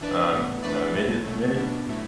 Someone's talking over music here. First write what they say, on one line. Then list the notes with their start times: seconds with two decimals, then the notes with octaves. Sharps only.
um, uh, made it made it
0.01 E3 D4 B4 D5
0.32 A1 A2 E3 B3
0.63 E3 A3 D4 B4 D5
0.94 A1 A2 A3 E4
1.25 B1 B2 F#3 A3
1.56 B2 B3 D4
1.87 A2 F#3 A3 E4